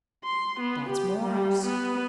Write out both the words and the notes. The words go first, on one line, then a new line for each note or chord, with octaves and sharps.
That's Morris.
C6
B3
G4
G3
B3